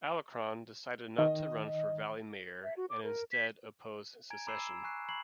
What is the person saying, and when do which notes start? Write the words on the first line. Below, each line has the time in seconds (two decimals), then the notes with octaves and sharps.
Alarcon decided not to run for Valley mayor, and instead opposed secession.
1.18 D#3 D#5
2.64 E5
2.77 F#4
2.90 D6
3.03 A#4
3.32 B6
4.30 G#5 A#5 G#6 D7
4.47 A#5 B5 D6 E6 C7 E7
4.83 G#5 C#6 F#6 C7
5.08 A#5 B5 C#6 G#6 C7 F#7